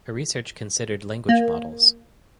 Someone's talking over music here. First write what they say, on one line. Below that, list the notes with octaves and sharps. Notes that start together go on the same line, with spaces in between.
Her research considered language models.
A#3